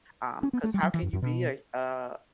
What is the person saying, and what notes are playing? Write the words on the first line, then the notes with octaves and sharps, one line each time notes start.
um, 'cause how can you be a a
C#4
B3
A3
G3
F#3
E3
F#2
F#2
B2